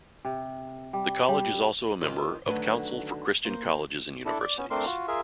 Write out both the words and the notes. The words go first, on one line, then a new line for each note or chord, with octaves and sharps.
The college is also a member of Council for Christian Colleges and Universities.
C3
G3
G3
D#3 C4 C#4 D#4 F4
D3 D#3 F#3 A3 F#4 B4
A#3 C5
D4 E4 A4
D5
B3 C#4
A3 C4 D4 A#4 C6
F4 F#4
F4 G#4 A#4 E5